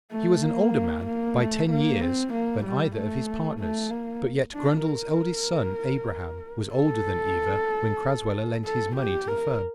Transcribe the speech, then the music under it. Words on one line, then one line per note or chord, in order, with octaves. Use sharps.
He was an older man by ten years than either of his partners, but yet Grundle's eldest son Abraham was older than Eva when Crasweller lent his money to the firm.
A3
A#3
A#3
A3
A#3
C4
A#3
G3
A3
A3
A#3
D4
A#4
A4
A4
G4
A#4